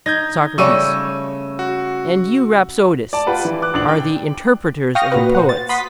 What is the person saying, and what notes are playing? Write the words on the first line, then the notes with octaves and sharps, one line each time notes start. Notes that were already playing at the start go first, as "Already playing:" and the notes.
SOCRATES: And you rhapsodists are the interpreters of the poets?
D#4 G6 G#6 A#6
C#3 G3 A3 C#6 E6 D#7
F#4
D5 A5
F4 G4 B4 F#5
E3
D6 F#6
A#1 D4 F#7
G5
F5 G5 C#6 D#6 F6 A#6
A#2 F#4 B4
C5 F#5
A6
F#5 B5 C6 D#6 B6